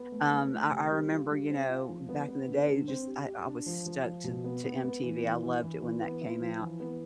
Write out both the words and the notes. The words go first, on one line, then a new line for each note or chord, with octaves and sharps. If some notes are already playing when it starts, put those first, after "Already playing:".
Um, I I remember, you know, back in the day, just, I I was stuck to to MTV. I loved it when that came out,
Already playing: B3
A3
A3
A3
C3
G3
F4
G3
C4
F4
F3
B3
B3
D3
D3
C4
G4
G4
D4
F3
F3
F3
B2
B3
B3
B3
E3
E3
E3
E3
E3
B3
E4
F3
E3
B3